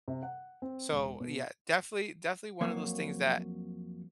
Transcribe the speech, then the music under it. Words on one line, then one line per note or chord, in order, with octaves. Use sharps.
So, yeah, definitely definitely one of those things that,
C3
F#5
C4
E1
B2
F2 F#3 A#3 C#5